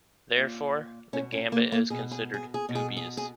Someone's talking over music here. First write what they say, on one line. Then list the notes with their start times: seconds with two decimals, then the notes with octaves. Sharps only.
Therefore, the gambit is considered dubious.
0.36 A#2
1.13 B2 C#4
1.32 C#4
1.52 A#3
1.72 A#3
1.90 B2 G#4
2.11 G#4
2.34 G#4
2.54 G#4
2.69 B2
2.75 G#4
2.97 G#4
3.17 G#4